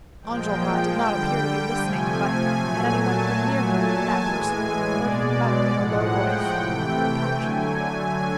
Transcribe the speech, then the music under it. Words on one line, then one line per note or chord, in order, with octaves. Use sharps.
Enjolras did not appear to be listening, but had any one been near him, that person would have heard him mutter in a low voice: "Patria."
A#2 F3 G#3 G5
D3 G3 G5
C3 F3 A3 G#5
A#2 F#3 A3
A5
A#2 F#3 A3 G#5
A5
A2 E3 G#3 G#5
B2 G#3 D5
A2 F3 G#3 F#5
G5
C3 E3 A3
D3 F#3 A3 G#5